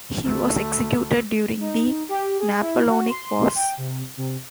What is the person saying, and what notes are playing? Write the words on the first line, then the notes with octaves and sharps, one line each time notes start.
He was executed during the Napoleonic Wars.
D2 A3
D#4
G4
G#4
E4
F#4
C6
G5
C3
C3